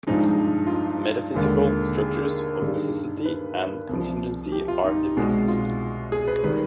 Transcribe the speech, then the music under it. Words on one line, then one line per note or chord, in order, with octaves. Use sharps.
The metaphysical structures of necessity and contingency are different.
G2 F3 G#3 D#4
F4
D#4
D#2 D3 G#3
G#4
G2 D#3 G3 G#4
B4
C2 C3 F3
G4
F4
D#4
C2 B2 G#3
F4
G#4
B4
D#3 G3 B4